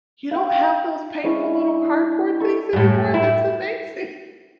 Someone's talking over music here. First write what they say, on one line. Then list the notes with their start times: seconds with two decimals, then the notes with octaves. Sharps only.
"You don't have those painful little cardboard things anymore? That's amazing."
0.31 F5 G5
1.23 G#3 C#4 D4 E4
2.40 A4 C#6
2.73 F#2 A2
3.14 E4